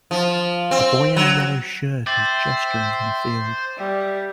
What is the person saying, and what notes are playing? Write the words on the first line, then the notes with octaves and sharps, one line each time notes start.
A boy in a yellow shirt is gesturing on a field.
F3
C4
F#3
C5 E5 G5 D6 A6 F#7
G3 E5